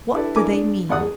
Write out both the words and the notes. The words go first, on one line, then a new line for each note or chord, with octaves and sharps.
What do they mean?
D4 E4 G4 A4 B4 D5
D4 E4 A4 A#4 G#5 D6
D4 G#4
A1 E2 D5 F#5 D#6 F#6
G#4